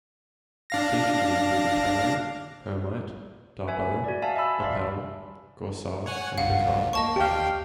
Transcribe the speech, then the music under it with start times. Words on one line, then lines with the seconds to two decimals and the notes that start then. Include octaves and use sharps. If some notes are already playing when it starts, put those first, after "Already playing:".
His teachers included Tannery, Hermite, Darboux, Appell, Goursat and Picard.
0.70 D4 F5 A#6
3.67 B4 E5 G#5
4.04 F#4 D5
4.22 F#4 E5 F5 G#5 A5
4.36 D#5 E5 A5 B5 E6
4.60 D5 E5 F5 C6
6.06 C#5 F#5 G#5
6.38 C#2 G2 F5 F#5
6.93 A#3 D#5 A5 C#6
7.16 D#2 G4 F5 G5